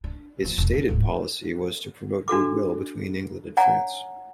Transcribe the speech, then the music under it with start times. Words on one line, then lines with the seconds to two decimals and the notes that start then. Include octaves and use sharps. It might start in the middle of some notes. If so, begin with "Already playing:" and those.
Its stated policy was to promote goodwill between England and France.
0.04 D4
0.42 F3 A#3
0.58 E1
0.73 B3 C4
0.89 D1 G#2
2.28 D4 F#4 A4 D6
3.57 C#5 D5 F#5 G#5 A#5